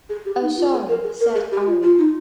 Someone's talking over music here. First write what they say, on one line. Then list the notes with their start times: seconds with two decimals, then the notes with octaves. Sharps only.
"Oh, sorry," said Ari.
0.09 G#4
0.25 G4
0.41 D#4
0.56 F4
0.72 G#4
0.88 A#4
1.03 G#4
1.19 A#4
1.34 G#4
1.51 G4
1.66 F4
1.82 F4
1.98 D#4